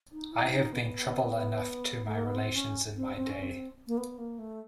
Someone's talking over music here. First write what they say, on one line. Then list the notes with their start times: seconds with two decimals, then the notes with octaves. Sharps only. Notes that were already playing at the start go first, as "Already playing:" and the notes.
I have been trouble enough to my relations in my day.
0.12 D#4
0.32 E4
0.53 D#4
0.73 B3
2.05 A3
2.15 A#3
2.26 B3
2.36 C4
2.55 C#4
2.96 C4
3.16 C4
3.29 C#4
3.42 C4
3.87 A#3
3.97 B3
4.18 A#3
4.39 A3